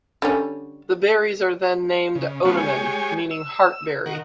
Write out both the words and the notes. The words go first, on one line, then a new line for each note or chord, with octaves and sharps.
The berries are then named Odamin, meaning heart berry.
D3 G3 C#4
C#3
F3 A3 B3 C#4 F4 F#4
G#3 G4 C#5 G#5
E6
D#3 A#4 F#5